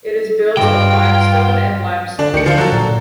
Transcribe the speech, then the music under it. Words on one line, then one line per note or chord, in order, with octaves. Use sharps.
It is built of limestone and lime solution.
C2 G2 F4 G5
D3 D4
D2 D#3 C#7
D3 F3 F4
F#3 A4
A#2